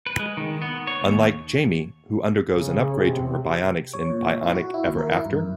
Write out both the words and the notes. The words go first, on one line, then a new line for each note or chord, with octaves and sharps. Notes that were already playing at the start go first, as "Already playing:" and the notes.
Unlike Jaime, who undergoes an upgrade to her bionics in Bionic Ever After?
B4
G#3
D#3
B3
C#5
D#2
C#3
C3
C#5
A#2
E4
F#4
E4
D#2
A#4
E4
G2
F#2